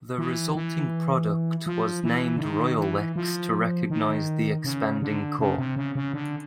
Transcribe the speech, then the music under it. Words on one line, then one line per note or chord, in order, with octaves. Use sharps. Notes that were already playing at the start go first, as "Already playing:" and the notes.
The resulting product was named Royalex to recognise the expanding core.
E3
E3
F3
E3
D3
D#3
E3
F3
D#3
C#3
D3
C#3
C3
C#3
C#3
D3